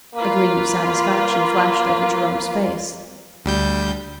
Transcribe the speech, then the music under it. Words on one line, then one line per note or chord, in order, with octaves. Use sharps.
A gleam of satisfaction flashed over Jerome's face.
A#3 F4 B4
D2 G3 G6